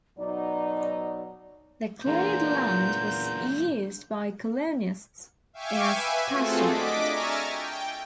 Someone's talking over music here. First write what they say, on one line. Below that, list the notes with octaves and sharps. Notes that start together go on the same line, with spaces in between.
The cleared land was used by colonists as pastureland.
B2 F#3 D#4 D5
E2 A#2 E3 D4 F4 G#4 A#4 G6
E5 F5 G5 G#5 C#6 D6
B4 E5 G#5
A3 C4 F4 F#4 G#4 A4
D4 D#5 D6 B6
E5 G#5 A#5 C#6 F6 A6
G5